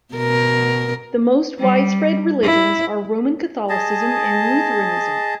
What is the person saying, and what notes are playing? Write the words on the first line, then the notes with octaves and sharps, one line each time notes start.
The most widespread religions are Roman Catholicism and Lutheranism.
B2 A#4
G3
E4
G#4 D#5 A5